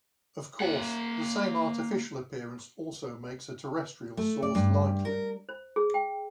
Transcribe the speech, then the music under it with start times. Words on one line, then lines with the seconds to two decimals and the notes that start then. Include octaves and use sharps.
Of course, the same artificial appearance also makes a terrestrial source likely.
0.60 A#3 F#5
4.17 A3
4.42 D5
4.55 G2
5.05 A#4
5.49 C5
5.76 G#4
5.94 G5